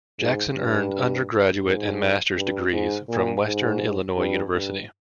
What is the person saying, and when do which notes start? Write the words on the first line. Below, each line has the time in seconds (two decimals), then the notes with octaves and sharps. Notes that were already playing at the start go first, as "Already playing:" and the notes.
Jackson earned undergraduate and master's degrees from Western Illinois University.
0.19 G#2
0.55 G2
1.64 G#2
2.37 G2
2.72 G#2
3.09 A#2
3.45 G#2
4.17 G2
4.54 G2